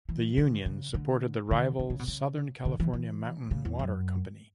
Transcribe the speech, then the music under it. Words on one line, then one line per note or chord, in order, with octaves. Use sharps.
The "Union" supported the rival Southern California Mountain Water Company.
E3
D3
C#3
D3
D3
D3
C#3
B2
C#3
D3
E3
E3
C#3
E2
F#2